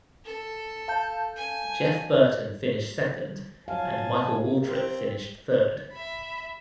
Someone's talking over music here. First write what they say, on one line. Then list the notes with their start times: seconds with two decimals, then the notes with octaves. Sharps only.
Jeff Burton finished second and Michael Waltrip finished third.
0.25 A4
0.88 F5 A5 G6
1.37 G#5
3.68 F3 F#3 F5 G#5 A5
4.35 G4 A#4
4.66 C4
5.92 E5 B5